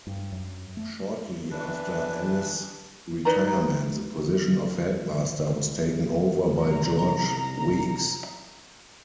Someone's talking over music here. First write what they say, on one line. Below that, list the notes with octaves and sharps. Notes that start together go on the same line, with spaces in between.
Shortly after Ellis' retirement the position of headmaster was taken over by George Weeks.
G2
F#2
A3
E3 D4 B4
D#4 B4 D5 A#5
C2 A#5